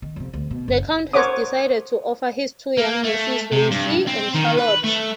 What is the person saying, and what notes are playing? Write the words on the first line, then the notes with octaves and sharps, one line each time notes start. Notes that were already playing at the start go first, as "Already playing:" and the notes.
The count has decided to offer his two young nieces, Lucy and Charlotte.
D#3
F2 C3
D2
B2
F#1
A#4 C5 C#5 F#5 D6 D#6
A#3
A3
C3
G2
C4
D#3
B4
A3